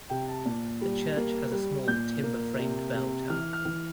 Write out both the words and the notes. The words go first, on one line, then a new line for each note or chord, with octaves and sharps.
The church has a small, timber-framed bell tower.
C3 G5
A5
A#2
G3
A#3
G3
A#2 G6
A#3
C3
C3
E3 F6
F6
E3